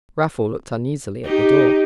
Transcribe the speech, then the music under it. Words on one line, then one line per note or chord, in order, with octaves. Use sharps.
Raffle looked uneasily at the door.
D#4 G4